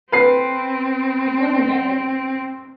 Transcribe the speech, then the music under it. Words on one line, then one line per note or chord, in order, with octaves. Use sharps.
It was a Level.
C4 B4 C7